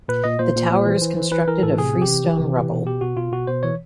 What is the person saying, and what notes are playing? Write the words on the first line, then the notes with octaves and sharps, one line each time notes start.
The tower is constructed of freestone rubble.
A#2 B4
A#2 D#5
A#2 C5
A#2
A#2
E3
E3
E3
E3 B4
E3 A#4
A2 A4
C3 G#4
C3
G4
E3
E3
C3
E3
B2
B2 G4
B2 F#4
B2 F4
B2 F#4
B2 C5
E3 C#5